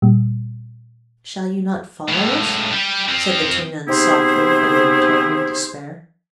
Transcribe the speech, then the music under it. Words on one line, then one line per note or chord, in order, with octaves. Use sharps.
"Shall you not follow us?" said the two nuns softly, but in a tone of despair.
A#2 G3
C#2 A2
G3 G4
F3 C4
C3 B3 D#4 E4 G#4 C5